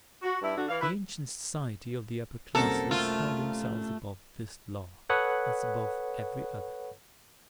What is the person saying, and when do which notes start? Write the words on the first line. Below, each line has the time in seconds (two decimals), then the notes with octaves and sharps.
The ancient society of the upper classes held themselves above this law, as above every other.
0.23 F#4
0.41 G2 E4
0.56 D3 D4 F#4
0.68 E3 F5
0.80 E4 B4
2.55 C2 F#2 A#3 A4 A#4 C5 F#5
2.91 A3 F4
5.09 A4 B4 C#5 F#5 B5 D#6